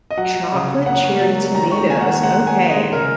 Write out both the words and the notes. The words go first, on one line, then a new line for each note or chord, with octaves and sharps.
Chocolate cherry tomatoes, okay.
D#5
F#3 F#5
F#3
C#3
C#3
A#3 F#5
C#4
F#3
A#3
D#3 A#5
D#3 C#6
A#5
A#3 G#5
F#5
D#3
G#3 F#5
G#3
G#5
G#3
D#5
G#3
C#3 A#4